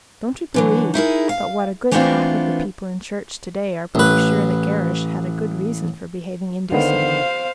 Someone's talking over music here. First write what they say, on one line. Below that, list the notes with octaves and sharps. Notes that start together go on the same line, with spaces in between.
Don't you believe but what a good half of the people in church to-day are pretty sure that Gerrish had a good reason for behaving indecently.
D3 E3 F#3
D#4 E4 G#4 A#4
F5
E3 A3 B3 C4 D4 F4
A1 B4
D3 D#3 B3 C5 F5